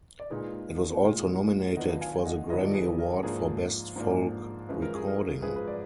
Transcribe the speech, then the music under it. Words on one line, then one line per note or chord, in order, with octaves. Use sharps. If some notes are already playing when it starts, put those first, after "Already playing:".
It was also nominated for the Grammy Award for Best Folk Recording.
D5
A#2 G#3 D#4 G#4 B4
A#2 G#3 D#4
D#3 F#3 B3 D4 F4 D#5 F#5
F5 G#5
G#5
D#5 F#5
D#3 F#3 B3 D4 F4 B4 D#5
D5
G#4 B4
A#4
G#2 F3 A#3 D4 G#4
G#2 F3 A#3 D4
F#2 F3 G#3 B4
A#4
G#4
A#4
F#2 F3 G#3 G#4 B4
B4
D5